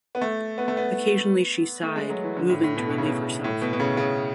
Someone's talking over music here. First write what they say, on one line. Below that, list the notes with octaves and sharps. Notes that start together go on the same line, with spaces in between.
Occasionally she sighed, moving to relieve herself.
B3
A3
B3
A3
B3
A3
G#3
F#3
E3
D3
A2
A2
B2
B2
C#3
B2
A2
B2
B2
C#3
C#3